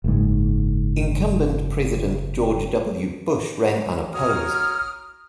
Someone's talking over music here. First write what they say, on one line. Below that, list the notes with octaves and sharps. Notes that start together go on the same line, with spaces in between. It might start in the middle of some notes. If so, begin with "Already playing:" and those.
Incumbent President George W. Bush ran unopposed.
F#1 G#2
F#4 C#5 A#5 D#6 F6